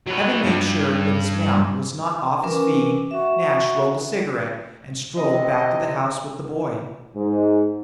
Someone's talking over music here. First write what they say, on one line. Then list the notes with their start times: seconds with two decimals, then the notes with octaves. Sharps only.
Having made sure that his mount was not "off his feed," Nash rolled a cigarette and strolled back to the house with the boy.
0.07 F#3 B4
0.45 G2
2.44 E3 C#4 A#4 D6
3.11 F#4 E5
5.16 C3 D#5
7.14 G#2